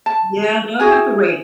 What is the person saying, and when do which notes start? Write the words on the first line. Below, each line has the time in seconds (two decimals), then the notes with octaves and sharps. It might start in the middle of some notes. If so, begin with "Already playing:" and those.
Yeah, now I have to wait.
0.06 A5
0.80 E4 F#4 G#4 G#5